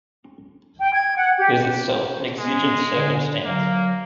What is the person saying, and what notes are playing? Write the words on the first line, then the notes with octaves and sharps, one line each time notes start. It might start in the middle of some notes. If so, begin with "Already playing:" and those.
It is itself an exigent circumstance.
G5
G#6
F#5
G4
G#3 B3
D3
F#3 A#3